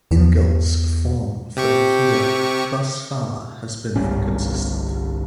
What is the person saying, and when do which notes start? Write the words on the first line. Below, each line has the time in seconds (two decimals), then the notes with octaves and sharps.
Ingall's form for the year thus far has been inconsistent.
0.11 E2
1.57 C3 G4 C#6
3.96 G1 C2 G3 C#4